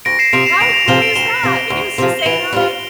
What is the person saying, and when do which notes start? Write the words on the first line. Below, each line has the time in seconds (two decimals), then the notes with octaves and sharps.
How cool is that? He was just saying "Hi!" and
0.05 D2 A#6 D7
0.19 C7 E7
0.33 C3 F3 D7 F7
0.46 C7 E7
0.60 D2 D7 F7
0.74 D7 F7
0.88 C3 F3 E7 G7
1.02 D7 F7
1.15 D2 E7 G7
1.43 C3 F3
1.70 D2
1.98 C3 F3
2.19 G7
2.25 E3 D7 F7
2.53 G3 C4 F4